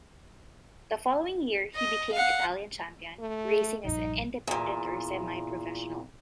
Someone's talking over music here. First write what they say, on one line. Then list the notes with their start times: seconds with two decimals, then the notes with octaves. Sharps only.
The following year he became Italian champion, racing as an independent or semi-professional.
1.75 D#5
2.13 F5 F#5
3.20 A3
3.85 A#1 G2 D#4
4.47 E2 A#2